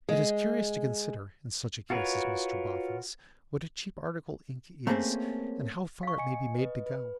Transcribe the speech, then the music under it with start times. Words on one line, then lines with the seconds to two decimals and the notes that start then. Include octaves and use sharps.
It is curious to consider, in such a case as Mr Boffin's, what a cheap article ink is, and how far it may be made to go.
0.09 G#3
1.90 F4 F#4 A#4 B4 C#5
4.87 A3 A#3 C4 C#4 G#4 C5
6.03 F5 C#6
6.17 D#5 G#5 C#7
6.55 B4 D#5
6.86 B4